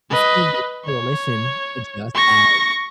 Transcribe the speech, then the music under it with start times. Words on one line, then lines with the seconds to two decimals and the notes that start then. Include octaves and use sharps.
you see this coalition adjust as
0.10 B4 D#5
0.85 C#5
2.14 C#6 A#6